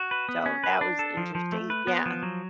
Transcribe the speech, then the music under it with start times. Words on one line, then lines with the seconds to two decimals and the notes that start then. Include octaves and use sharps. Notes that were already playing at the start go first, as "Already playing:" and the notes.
So that was interesting, yeah.
Already playing: F#4
0.11 B4
0.29 B3
0.46 C#4
0.64 B4
0.81 D4
0.99 A4
1.17 F3
1.35 F3
1.52 A3
1.70 B4
1.87 B3
2.06 F3
2.23 F#3